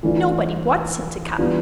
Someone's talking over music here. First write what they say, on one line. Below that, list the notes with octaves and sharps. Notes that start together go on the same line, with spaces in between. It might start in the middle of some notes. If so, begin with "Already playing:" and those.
Nobody wants him to come.
E3 A3 D4 F4
E3 G3 B3 D4 F4